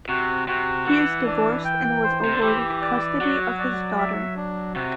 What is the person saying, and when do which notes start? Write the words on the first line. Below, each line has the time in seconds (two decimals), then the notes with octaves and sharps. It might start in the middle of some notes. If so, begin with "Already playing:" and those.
He is divorced and was awarded custody of his daughter.
0.09 C3 F#4
0.48 C3 F#4
0.86 E3 F#5
1.26 D4
1.65 G5
2.03 C5
2.24 C3
2.33 D3
2.42 E3 G4
2.82 D5
3.20 F#3 F#4
3.59 D5
3.98 E5
4.36 D4
4.75 C3 F#4